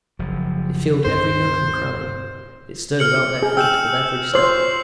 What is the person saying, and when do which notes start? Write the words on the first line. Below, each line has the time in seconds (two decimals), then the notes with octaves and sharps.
It filled every nook and cranny; it stirred about their feet with every step.
0.19 F#1 F3
1.05 D2 G2 C4 C5
2.99 F6 C#7 F#7
3.43 G#4
3.57 G5 E6 G6 E7
4.34 C5 C#5 C7 F#7